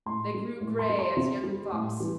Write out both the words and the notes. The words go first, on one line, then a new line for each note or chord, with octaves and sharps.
They grew gray as young fops.
A2 C6
G3
A2
C6
G3
C6
C3
G3
A2
E3 G3